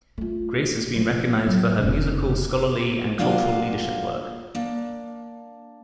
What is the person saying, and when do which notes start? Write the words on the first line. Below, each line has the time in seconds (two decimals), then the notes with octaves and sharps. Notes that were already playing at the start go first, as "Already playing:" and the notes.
Grace has been recognized for her musical, scholarly, and cultural leadership work.
0.18 A3 F4
0.96 F3 D4
1.46 F#3 A3
1.78 F1 C#3
3.18 F#3 A#3 D4 F4 F5 G#5
4.55 A#3 D4